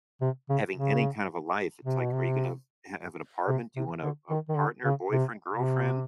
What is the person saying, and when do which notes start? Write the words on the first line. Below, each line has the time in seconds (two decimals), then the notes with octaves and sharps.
having any kind of a life, it's, like, are you gonna have have an apartment? Do you want a a partner, boyfriend, girlfriend?
0.21 C3
0.49 C#3
0.76 C#3
1.85 C3
1.99 B2
2.13 C3
3.48 C3
3.76 C3
4.03 D3
4.30 D#3
4.49 D#3
4.57 D3
4.85 C#3
5.11 C3
5.53 C3